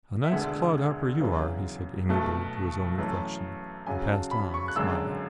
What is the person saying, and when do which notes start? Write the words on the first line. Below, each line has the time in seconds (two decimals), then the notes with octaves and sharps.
"A nice clodhopper you are!" he said amiably to his own reflection, and passed on, smiling.
0.24 E5
0.31 E1 D2 D3 G#3 B3 F#5
1.21 F#2 C#3 E3 B3
2.09 B1 B2 A3
2.98 F#2 E3 A3
3.86 F#2 C#3 F#3 G#5
4.09 A5
4.31 B5
4.54 C#6
4.68 F#6
4.75 G#1 F#2 D3 G#3 E6